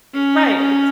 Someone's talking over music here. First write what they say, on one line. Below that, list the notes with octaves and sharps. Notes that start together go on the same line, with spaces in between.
Right, it's
C#4
C#4